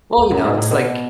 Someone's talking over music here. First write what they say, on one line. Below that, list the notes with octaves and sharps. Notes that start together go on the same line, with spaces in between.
Well, you know, it's like
E2
F#2
G#2
A2
B2